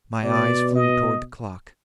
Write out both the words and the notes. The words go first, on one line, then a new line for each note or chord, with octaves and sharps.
My eyes flew toward the clock.
B2 D5
D#5